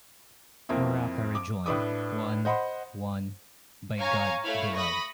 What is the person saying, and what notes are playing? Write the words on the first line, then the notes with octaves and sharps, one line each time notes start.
Waraka rejoined, One, one, by God, Bilal!
F2 A#3 C4 E4
D6
A2 D4 B4 D6 D#6
C5 D#5 F#5 B5 C6
C#5 F5 G#5 A#5 C#6
A3 E4 C#5 F5 B5
B5 C#6 D#6 A#6